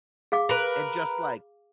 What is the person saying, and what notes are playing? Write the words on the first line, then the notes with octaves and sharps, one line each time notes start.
and just, like,
G#4 F5 D6
A#4 B4